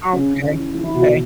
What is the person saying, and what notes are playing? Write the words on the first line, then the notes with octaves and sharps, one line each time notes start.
Okay, okay.
C#3
C#3
E3
E3
E4
B2 F#4